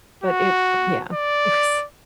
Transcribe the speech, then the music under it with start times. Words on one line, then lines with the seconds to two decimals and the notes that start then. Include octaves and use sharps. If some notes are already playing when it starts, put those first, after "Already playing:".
But it yeah. It was
0.24 F#4
1.13 D5